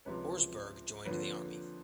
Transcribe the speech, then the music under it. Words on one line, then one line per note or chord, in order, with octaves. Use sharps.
Horsburgh joined the Army.
C#2 C3 F3 B4 C#5
F2 D3 F3 A#3 B4 C#5